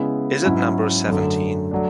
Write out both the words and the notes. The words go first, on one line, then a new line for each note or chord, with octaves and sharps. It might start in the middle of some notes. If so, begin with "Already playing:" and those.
Is it number seventeen?
Already playing: C#3 G#3 B3 E4
G#2 F#3 C#4 E4
F#2 D3 A3
F#3 A3 D4